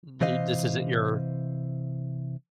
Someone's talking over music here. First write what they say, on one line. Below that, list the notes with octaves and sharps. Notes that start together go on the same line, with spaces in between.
Th this isn't your,
C3 E3 C5 D#5 F5